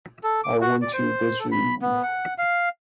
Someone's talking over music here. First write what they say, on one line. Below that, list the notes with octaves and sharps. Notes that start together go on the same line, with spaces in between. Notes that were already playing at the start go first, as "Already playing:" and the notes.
I went to the zoo.
A4
D6
F#4
D5
C5
A4
B5
B3
F#5
F5